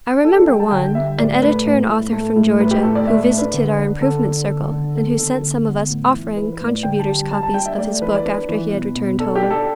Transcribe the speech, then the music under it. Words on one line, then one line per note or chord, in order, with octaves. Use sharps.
I remember one, an editor and author from Georgia, who visited our Improvement Circle, and who sent some of us "Offering" contributors copies of his book after he had returned home.
D4 A4
A4
G3 G5
A5
D3 G5
G3 E5
A2 D5
A3 B4
A2
A2
A3
A2
A2 B4
G4
A2 A4
D5
A3 E5
D5
D4
B4
D3
D4
D3 A4
D4
D3
D3
B3 A4
D3 A4
D3
B3
A2
E3
E3 B4
B4
A2
D5
D3 G5
A5
G3
A5
G3 A5
A5
D4 G5
E5
A3 D5
E3 B4
D5
D4 B4
E3
B2
B2
D4 A4
G4
D4
A4